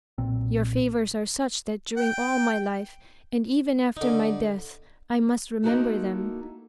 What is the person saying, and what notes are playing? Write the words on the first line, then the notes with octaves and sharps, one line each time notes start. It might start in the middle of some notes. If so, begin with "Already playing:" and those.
Your favours are such that during all my life, and even after my death, I must remember them.
B1 A#2 C4
G5
D3 D#4
G#3 A#3 D#4 E4 F#4 A4